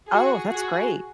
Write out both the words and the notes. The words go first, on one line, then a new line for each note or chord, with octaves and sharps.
Oh, that's great.
F#4 G#4
F#4 G#4